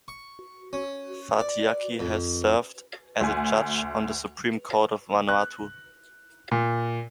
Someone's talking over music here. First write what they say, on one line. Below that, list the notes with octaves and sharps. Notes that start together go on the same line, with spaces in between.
Fatiaki has served as a judge on the Supreme Court of Vanuatu.
C#6
C#4
D5
F2
D2 G#5
F#6
A#2